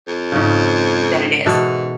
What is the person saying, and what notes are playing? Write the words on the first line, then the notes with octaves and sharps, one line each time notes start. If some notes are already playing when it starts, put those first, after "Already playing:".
than it is?"
F2
G#2 C#3
G#2 B2 E3 A4